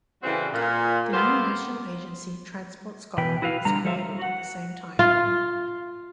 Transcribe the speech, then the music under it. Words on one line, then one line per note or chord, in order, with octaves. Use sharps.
The new national agency Transport Scotland was created at the same time.
A2 C#3 E3 G3 C4 F#4
A#2
B3 F4 G4 A4 A#4 C5
B2 E3 B4 G5
E4 F#4 B4 F5
D3 G3 A#5
F3 G3 A4 C5 E5 F5
F4